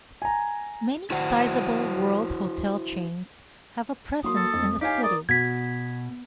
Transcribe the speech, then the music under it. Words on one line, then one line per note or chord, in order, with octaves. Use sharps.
Many sizable world hotel chains have a presence in the city.
G#5 A#5
E4 F#4 C5 F#5
F#3 A#3 C6 D#6
A4
F2
D#4 G4 C#5 F5 G#5
A#4 D5 D#6
B2 G#6 B6